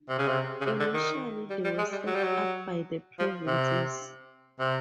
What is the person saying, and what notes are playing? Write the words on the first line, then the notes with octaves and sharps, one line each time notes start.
Initially they were set up by the Provinces.
C3
C#3
C3
C#3
C3
D3
D#3
G3
G3
G#3
G3
F#3
G3
F#3
F3
C3
C3